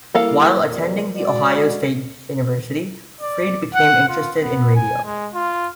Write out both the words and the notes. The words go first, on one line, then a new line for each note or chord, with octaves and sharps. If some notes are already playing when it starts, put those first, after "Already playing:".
While attending the Ohio State University, Freed became interested in radio.
G3 A#3 E4 A4 F5
F2 C3 D5
G#3 F#4 D5
D5
F#5
F4
B3
G#5
G#3
F4